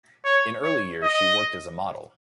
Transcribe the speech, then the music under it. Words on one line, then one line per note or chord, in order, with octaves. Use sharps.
In early years she worked as a model.
C#5
C#5
D#5